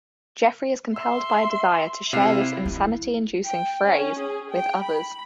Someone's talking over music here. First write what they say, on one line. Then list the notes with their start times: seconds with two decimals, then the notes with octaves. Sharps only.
Jeffrey is compelled by a desire to share this insanity-inducing phrase with others.
0.96 E5 C6 E6
2.13 C3 E4 F5 C7
2.66 E4
3.46 G5
3.85 C#4
4.19 G#4
4.51 G5
4.83 B5